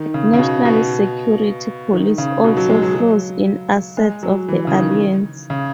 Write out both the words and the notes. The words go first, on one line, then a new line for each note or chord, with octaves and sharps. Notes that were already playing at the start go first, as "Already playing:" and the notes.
National Security police also froze in assets of the Alliance.
Already playing: D#3
C#3
C#3
B2
B2
D#3
C#3
B2
F#3
G#3
F#3
F#3
G#3
F#3
E3
C#3
D#3
C#3